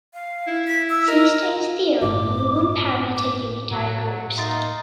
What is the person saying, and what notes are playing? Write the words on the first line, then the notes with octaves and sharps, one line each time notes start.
See Stone's theorem on one-parameter unitary groups.
F5
E4
B6
E6
A#4 D#5
G1 A2 D6
D6
A2 F#3
F#3
A#3 D#4 E5 C6 A6